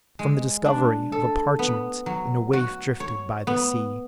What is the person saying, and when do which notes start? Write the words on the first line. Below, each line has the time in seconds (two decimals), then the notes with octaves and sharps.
From the discovery of a parchment in a waif drifted by the sea.
0.19 G#3
0.66 D4
1.12 A4
1.59 B3
2.06 F#3
2.53 F#4
3.00 C#5
3.47 B3